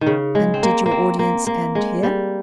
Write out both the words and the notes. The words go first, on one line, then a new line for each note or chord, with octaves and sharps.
'And did your audience end here?'
D#3
C#3
G#3
C4
A#3
A#3
C4
A#3
A#3
G#3
G3